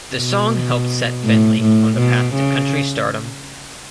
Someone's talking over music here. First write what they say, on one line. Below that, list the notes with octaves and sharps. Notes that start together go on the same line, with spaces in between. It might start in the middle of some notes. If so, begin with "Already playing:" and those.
The song helped set Bentley on the path to country stardom.
B2
A2
A2
B2
C#3